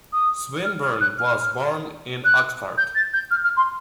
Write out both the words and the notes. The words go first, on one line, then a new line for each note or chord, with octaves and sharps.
Swinburn was born in Oxford.
D#6
F6
F6
F#6
F6
F#6
G6
A6
G6
F6
F6
C6